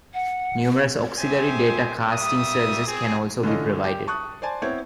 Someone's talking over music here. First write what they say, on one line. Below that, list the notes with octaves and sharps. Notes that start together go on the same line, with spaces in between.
Numerous auxiliary datacasting services can also be provided.
F#5
G4 G#4 C5 E5 G#5
G3 A#3 E5 D#6
C4 G4 G#4
D3 E3 C#4 F4 A4 D#5
G4
A5 C#6 D#6 F#6
C5 D5 G#5 A5 C6
B3 C4 E4 C#5